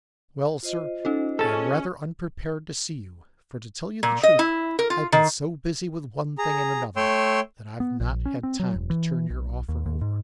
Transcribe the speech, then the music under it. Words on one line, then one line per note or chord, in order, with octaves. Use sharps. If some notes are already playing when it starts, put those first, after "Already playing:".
Well, sir, I am rather unprepared to see you, for, to tell you the truth, I've been so busy with one thing and another, that I've not had time to turn your offer over.'
F4 C5 D#5
C#4 D#4 A4
C#4 G#4 A4 A5
A#2
D#5
E4
A#4
F4
D#3
G#4 A#5
A3 C#5 G5 C6 E6
B3
A#1
C#4
C4
F#3
E1
E3
B1
D#2
D#2
G#2